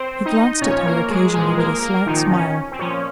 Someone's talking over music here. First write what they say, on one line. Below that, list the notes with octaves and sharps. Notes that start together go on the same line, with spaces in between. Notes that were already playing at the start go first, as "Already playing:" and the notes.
He glanced at her occasionally with a slight smile.
Already playing: C4 C5
D#4 D#5
A#2 F3 C#4 C#5
A#3 A#4
G#3 G#4
A#2 F3 G#3 G#4
A#3 A#4
A#3 A#4
A#2 D#3 F3 D#4
C#4
C4
A#2 F3 C#4